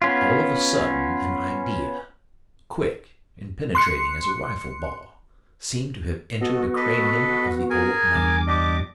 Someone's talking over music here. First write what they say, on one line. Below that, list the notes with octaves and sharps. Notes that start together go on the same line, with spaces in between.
All of a sudden an idea, quick and penetrating as a rifle-ball, seemed to have entered the cranium of the old man.
B3 C#4 F4
C6 F#6 C#7
B3 F#4 A4 D#5
A4 B4 D#5
G#4 A#4 G#5
E2 G2 D6
D4 G4 D#5